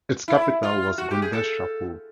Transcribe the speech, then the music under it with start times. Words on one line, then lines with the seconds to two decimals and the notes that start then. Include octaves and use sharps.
Its capital was Gundeshapur.
0.28 E4
0.63 F4
0.98 F#4
1.11 G4
1.22 G#4
1.33 A4